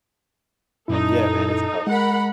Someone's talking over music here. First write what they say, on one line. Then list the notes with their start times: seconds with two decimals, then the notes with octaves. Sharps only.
yeah, man, it's tough.
0.88 F#2 A#2 D#4 E4 A4
1.87 G#3 A#4 F#5 B5